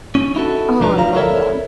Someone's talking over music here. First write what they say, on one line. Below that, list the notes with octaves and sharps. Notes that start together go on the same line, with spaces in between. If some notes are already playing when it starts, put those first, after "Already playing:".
Oh, I love that.
C#4
D#4 E4 F#4 A4
C2 F2 F3 D4 B4 A#5
D2 F3 G3 E4 F5 A#5
E4 A4 A#4 C#5 D5 E5